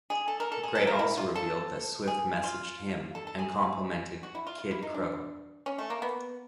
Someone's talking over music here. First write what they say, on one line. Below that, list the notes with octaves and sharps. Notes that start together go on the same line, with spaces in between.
Gray also revealed that Swift messaged him and complimented "Kid Krow".
G#4
A4
A#4
A4
G#4
A4
A#4
E4
F4
A4
G#4
F4
A4
A4
G#4
F#4
E4
F4
F4
E4
D#4
D4
C#4
A3
A#3
B3